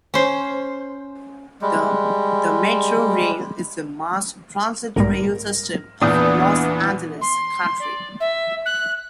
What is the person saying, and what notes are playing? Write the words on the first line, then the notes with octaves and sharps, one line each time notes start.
The Metro Rail is the mass transit rail system of Los Angeles County.
C#4 C5
G3 G#3
B1 G#2 G3 A#4
E2 A#2 E3 B3 D4 D#6 G6
C6
D5
E5
F#6